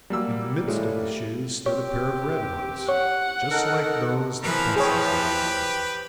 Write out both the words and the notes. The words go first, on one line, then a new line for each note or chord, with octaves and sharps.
In the midst of the shoes stood a pair of red ones, just like those the princess had worn.
F#3 G3 A#3 E6
A2 G#3
C4 G4 C#5
C#5 F#5
D#4 A4 A#4
E3 F3 A#4 B4
G4 G#4 B4 C#5 G5